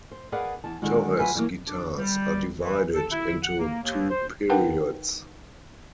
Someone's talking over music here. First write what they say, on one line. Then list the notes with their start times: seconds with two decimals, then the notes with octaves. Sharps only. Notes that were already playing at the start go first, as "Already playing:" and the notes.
Torres guitars are divided into two periods.
0.11 C5
0.32 G#4 A#4 B4 D5 F5 F#5
0.64 E2 A5
0.82 D3 D#3 G#3 E4 F#4
1.19 F#3 F4 F#4 B4 E5 G#5
1.35 D3 E3 F#3 A#3
1.67 D4
1.97 G3
2.61 E3
2.94 A4
3.11 E4
3.43 F#5
3.59 A#3
3.83 D#2
4.10 C5
4.49 D#4 A#4 B4 F#5 G5 A5